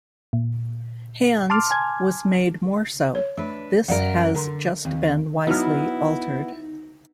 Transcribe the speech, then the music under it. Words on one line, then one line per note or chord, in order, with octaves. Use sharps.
"Hands" was made more so; this has just been wisely altered.
A#2
A5 C6 D6 F6
G#5 G#6
C#5
A3 D4 B4
F#2 A#4 D5 F5 F#5
D3 A#4 A#5 C6
D#2 C4
F#3 B3 D#4 E4 F6